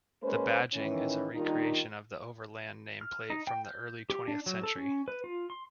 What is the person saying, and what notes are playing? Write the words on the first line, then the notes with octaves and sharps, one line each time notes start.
The badging is a recreation of the Overland nameplate from the early twentieth century.
G#3 A#3 C#4 B4 C5
D#3 E3 C#4
D#3 G3 A#3 D4 D#4 F4
F6
D#4
G5
G6
G4
D4
F#3
A4
C#4
B4
F4
C6